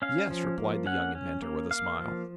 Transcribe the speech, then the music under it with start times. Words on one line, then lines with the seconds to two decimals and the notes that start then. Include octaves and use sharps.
"Yes," replied the young inventor, with a smile.
0.02 C#4 F5
0.30 F3
0.58 A#3
0.86 C#4 F#5
1.15 C#4
1.42 A#3
1.71 A#3 F5
1.99 F3